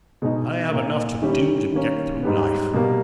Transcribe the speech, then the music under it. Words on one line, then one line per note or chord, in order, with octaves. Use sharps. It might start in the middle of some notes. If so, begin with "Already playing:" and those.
I have enough to do to get through life.
B2 G#3 D#4
A#2 A#3 D#4
D#3 G3 C#4 E4
D#3 A#3 C#4
G#2 G3 B3
B2 G3 A#3